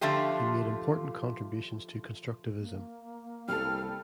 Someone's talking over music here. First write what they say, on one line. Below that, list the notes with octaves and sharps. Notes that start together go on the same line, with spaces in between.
He made important contributions to constructivism.
D3 F3 A3 F4 G4
A#3
C2 G3 A4 F6